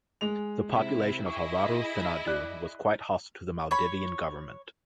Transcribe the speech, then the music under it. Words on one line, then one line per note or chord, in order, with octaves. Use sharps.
The population of Havaru Thinadhoo was quite hostile to the Maldivian Government.
G#3 F7
C3 E4
E4 G#4 D#5 C#6
D5 F#6
C#5 B5